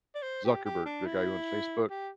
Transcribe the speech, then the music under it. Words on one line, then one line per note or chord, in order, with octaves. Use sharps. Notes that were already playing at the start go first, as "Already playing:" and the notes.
Zuckerberg- the guy who owns Facebook-
D5
C5
G4
G4
D4
E4
G4